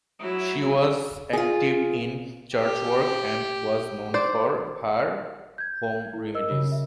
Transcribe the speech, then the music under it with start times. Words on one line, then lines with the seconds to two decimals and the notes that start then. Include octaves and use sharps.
She was active in church work and was known for her home remedies.
0.20 F#3 E4
1.33 F4 G#4
2.55 G4
4.14 C5 D5
5.58 G6 G#6 A#6
5.97 F5 E7
6.13 E4
6.34 A#4 D#5 E6
6.50 C#3
6.72 E5